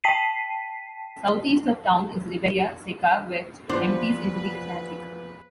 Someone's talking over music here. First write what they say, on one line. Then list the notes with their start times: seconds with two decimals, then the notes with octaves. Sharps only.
Southeast of town is Ribeira Seca which empties into the Atlantic.
0.04 G5 A5 B6 C7 D#7
3.69 E2 A#2 F3 D4 B4 C5